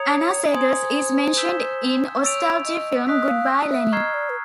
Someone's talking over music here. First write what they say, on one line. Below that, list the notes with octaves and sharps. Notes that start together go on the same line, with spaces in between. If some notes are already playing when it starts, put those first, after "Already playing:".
Anna Seghers is mentioned in the ostalgie film, "Good Bye Lenin!".
Already playing: C#5 A#5 D#6 G#6 C#7 F7
C5 G#5 C6 D#6 G#6
E6 G6 B6 E7 G7
C#5 C#6 E6 A6 D7 F7
D#5
D#5 D#6 F#6 B6
F5
E5
D#5 A#5 C#6 F6 G#6 C7
D5
B4